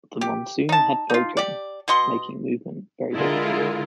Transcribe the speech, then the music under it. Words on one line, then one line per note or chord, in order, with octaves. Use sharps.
The monsoon had broken, making movement very difficult.
G4
D#4 A5
D#4 F4
G4 D5
B2 B3 D#5 C6
D3 G#3 E4 F4 A#4